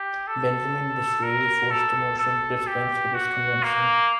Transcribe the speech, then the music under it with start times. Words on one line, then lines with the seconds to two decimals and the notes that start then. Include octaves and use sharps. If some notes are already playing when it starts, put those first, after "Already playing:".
Benjamin Disraeli forced a motion to dispense with this convention.
Already playing: G4
0.28 A4
1.23 A#4
1.71 A4
2.19 A4
2.67 G4
3.15 F#4
3.63 A#3